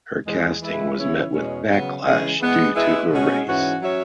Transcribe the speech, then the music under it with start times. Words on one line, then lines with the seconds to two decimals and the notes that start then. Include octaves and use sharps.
Her casting was met with backlash due to her race.
0.26 E2 E3 G#3
0.61 E3 G#3 E4 B4
0.97 C#3 E3 C#4 E4 C#5
1.32 E2 B2 G#3 C#4
1.69 C#3 F#3 B3
2.05 C#3 E3 G#3 C#4 G#4
2.40 E3 G#3 B3
2.75 G#3 E4 G#4 B4 E5
3.11 B2 G#3 C#4 F#4
3.47 G#2 E3 C#4 F#4
3.82 F#3 C#4 F#4 C#5 E5